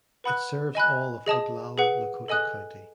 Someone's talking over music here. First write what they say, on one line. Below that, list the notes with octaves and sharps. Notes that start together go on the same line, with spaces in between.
It serves all of Oglala Lakota County.
B4 F#5 B5 D#6 F#6
D#5 G#5 B5 F#6
G#4 D#5 A5 D#6
G#4 B4 F#5
A4 D#5 G#5 D#6 F#6